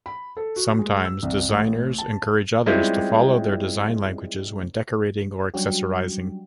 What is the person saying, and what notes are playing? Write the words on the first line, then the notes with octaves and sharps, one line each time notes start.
Sometimes, designers encourage others to follow their design languages when decorating or accessorizing.
B5
A4
F#4
G#3
E6
C2
A1
A5
G3 G#3 C4 C#4 E4 F4
F#3 G3 C#4 D4 F#4 G4